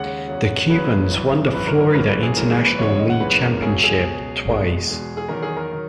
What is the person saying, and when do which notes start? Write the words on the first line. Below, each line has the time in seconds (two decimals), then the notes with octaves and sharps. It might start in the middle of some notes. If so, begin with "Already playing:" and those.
The Cubans won the Florida International League championship, twice.
Already playing: D#2 C#3 G#3 F#5
0.27 E2 C#3 F#3
0.69 E2 C#3 F#3 B4
1.11 G#1 F#2 E3
1.52 G#1 F#2 E3 B4
1.67 A#4
1.81 A#4
1.90 B4
1.94 G#1 F#2 E3 G#3 A#4
2.09 B4
2.23 G#4
2.36 G#1 F#2 E3 G#3 A#4
2.50 G#4
2.64 B4
2.78 F#1 E2 C#3 E3 G#3 C#5
2.89 C#5
2.99 D#5
3.10 F#5
3.20 F#1 E2 C#3 E3 G#3 B4
3.41 A#4
3.62 C#2 B2 F#3 G#4
3.84 G#4
4.04 C#2 B2 F#3
4.45 E2 B2 G#3
4.87 E2 B2 G#3
5.17 G#4
5.28 E2 D#3 F#3 A#4
5.42 G#4
5.56 A#4
5.72 D#3 F#3